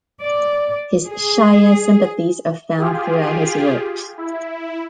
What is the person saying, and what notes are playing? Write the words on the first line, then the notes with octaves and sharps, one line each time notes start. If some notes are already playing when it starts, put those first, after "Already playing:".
His Shia sympathies are found throughout his works.
D5
G#4
F4 G4 G#4
E4